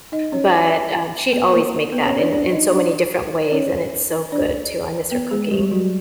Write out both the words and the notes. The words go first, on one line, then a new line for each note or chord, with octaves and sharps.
but, um, she'd always make that in in so many different ways, and it's so good too, I miss her cooking.
D#4 D#5
C#4 C#5
B3 B4
A#3 A#4
B3 B4
C#4 C#5
D4 D5
D4 D5
D#4 D#5
D4 D5
D5
C#4 C#5
D4 D5
B3 B4
G#3 G#4
G3 G4
F#3 F#4